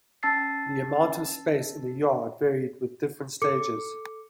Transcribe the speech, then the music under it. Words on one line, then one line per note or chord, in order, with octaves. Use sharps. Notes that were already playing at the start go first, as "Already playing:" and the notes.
The amount of space in the yard varied with different stages.
C#4 A5 E6 A6 C7
A4 D6 C#7